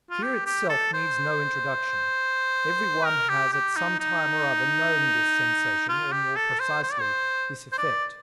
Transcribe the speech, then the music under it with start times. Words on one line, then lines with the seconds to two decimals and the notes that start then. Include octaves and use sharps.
Fear itself needs no introduction; everyone has at some time or other known this sensation or, more precisely, this effect.
0.10 F4
0.23 G4
0.46 G4
0.69 A4
0.93 C5
3.06 A#4
3.29 G4
3.53 G4
3.76 D#4
3.99 D#4
5.89 F4
6.12 G4
6.36 A4
6.59 C5
6.83 C5
6.92 D5
7.01 C5
7.72 C5
7.78 D5